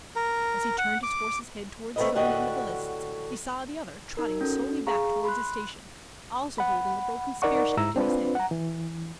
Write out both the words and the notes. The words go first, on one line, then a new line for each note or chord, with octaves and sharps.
As he turned his horse's head towards his own end of the lists, he saw the other trotting slowly back towards his station, also holding a broken spear shaft in his hand.
A#4
F#5
D6
A3 C4 C#4 A#4 B4 D#5
A2 D3 F#4 G4 D#5
D#4 A#4
C#4 F#4 A4
G#4 F5 A#5 C#6
B5 C6 F#6
F#5 B5
D#4 A#4 D5 F#5 C#6
G#2 E4 A#5 E6
C4 D4 F4 B4
F#5 A#5
E3